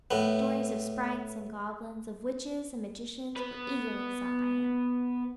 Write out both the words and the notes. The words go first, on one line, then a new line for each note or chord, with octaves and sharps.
Stories of sprites and goblins, of witches and magicians, were eagerly sought by him.
A2 B3
B3 B4